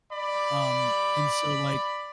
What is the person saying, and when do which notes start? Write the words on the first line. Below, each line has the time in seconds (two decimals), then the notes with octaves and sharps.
Um, and so, like
0.11 D5 B5